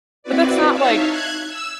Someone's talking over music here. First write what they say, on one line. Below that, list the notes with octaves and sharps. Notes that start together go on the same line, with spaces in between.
But, that's not like
C4 E4 F#4 B4 D5
D#4 C#5 E5 F5 A5
F#6 G#6
E6